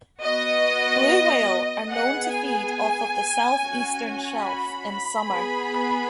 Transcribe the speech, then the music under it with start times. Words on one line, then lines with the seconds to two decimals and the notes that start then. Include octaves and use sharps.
Blue whale are known to feed off of the southeastern shelf in summer.
0.23 B3 F#4 D#5
1.90 B3 G#4 F#5
2.32 G#5
3.58 C#4 F#4
4.42 B5
5.25 B3 G#4